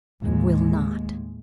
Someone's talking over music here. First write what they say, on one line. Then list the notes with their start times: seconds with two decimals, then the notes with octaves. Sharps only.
"I will not!"
0.22 D#2 A2 G#3